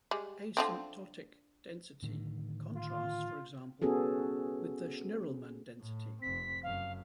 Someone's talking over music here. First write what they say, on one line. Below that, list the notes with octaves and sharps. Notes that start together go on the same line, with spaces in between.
Asymptotic density contrasts, for example, with the Schnirelmann density.
G3 G#3
D3 F3 C4
A2 D3 D#3
F4
B3 C#4 F#4 G#4 A4
A2
F1 C4 B6
F#1 F#2 F5